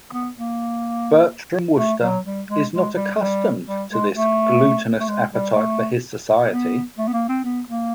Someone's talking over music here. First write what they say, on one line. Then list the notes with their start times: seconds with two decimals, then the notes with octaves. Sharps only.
Bertram Wooster is not accustomed to this gluttonous appetite for his society.
0.12 B3
0.37 A#3
1.77 A3
2.02 F#3
2.25 G3
2.48 G#3
2.73 G#3
2.95 G3
3.20 G3
3.67 G3
3.91 G#3
4.15 A3
5.00 A3
5.08 G#3
5.32 G3
5.55 A3
6.50 B3
6.98 A3
7.08 B3
7.13 A#3
7.29 C4
7.44 B3
7.68 A#3